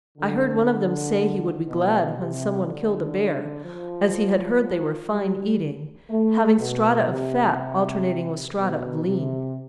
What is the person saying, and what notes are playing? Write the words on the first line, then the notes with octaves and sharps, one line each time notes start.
I heard one of them say he would be glad when some one killed a bear, as he had heard they were fine eating, having strata of fat alternating with strata of lean.
D3
B2
C3
D3
F3
G3
A3
B2
C3
B2
C3